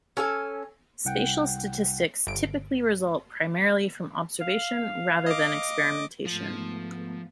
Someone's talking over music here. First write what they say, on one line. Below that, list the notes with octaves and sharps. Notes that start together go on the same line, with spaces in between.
Spatial statistics typically result primarily from observation rather than experimentation.
C#4 A4 G#5
C2 F#5 G5
G1 D7
F5
D#5 D6
G#2 F3 A3 B3